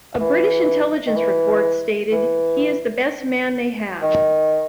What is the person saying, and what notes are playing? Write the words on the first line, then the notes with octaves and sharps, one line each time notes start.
A British intelligence report stated, "He is the best man they have".
E3
D#3
E3
E3
D#3